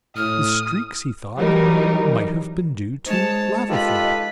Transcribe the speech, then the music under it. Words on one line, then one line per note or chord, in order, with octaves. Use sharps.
The streaks, he thought, might have been due to lava flow.
A2 D#6 F6
E3 F#3 G3 D#4 A#4
G#3 D#4 C5 C#5 A5
D#4 F4 G4 A4 B4 D#5 B5